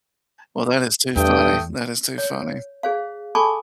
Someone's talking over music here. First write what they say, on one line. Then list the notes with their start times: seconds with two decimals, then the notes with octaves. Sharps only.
Well, that is too funny, that is too funny.
1.16 E2 G2 A3 G5 D#6
2.18 C#5
2.83 G#4 C5 F5
3.35 A4 G#5 A5 B5 C#6 D6